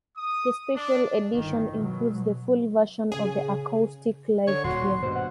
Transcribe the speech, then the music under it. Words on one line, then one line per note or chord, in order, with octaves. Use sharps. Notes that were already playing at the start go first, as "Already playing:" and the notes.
The Special Edition includes the full version of the acoustic live tour.
D#6
D4
G1 D#3
B2 F#3
C#3 G#4
D3 C#5
D#1 F#4 C6
G2 B2 C5
F#5